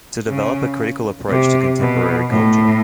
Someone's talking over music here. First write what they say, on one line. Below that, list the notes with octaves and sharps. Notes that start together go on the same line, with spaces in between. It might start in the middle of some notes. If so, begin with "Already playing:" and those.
To develop a critical approach to contemporary culture.
C#3
C3
B2
A2